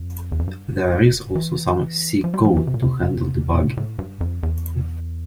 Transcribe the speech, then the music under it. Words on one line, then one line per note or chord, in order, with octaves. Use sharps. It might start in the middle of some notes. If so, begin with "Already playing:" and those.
There is also some C code to handle debugging.
Already playing: F2
E2
F2
G2
E3
F3
G3
F3
E3
C3
A#2
C3
A#2
A2
G2
F2
E2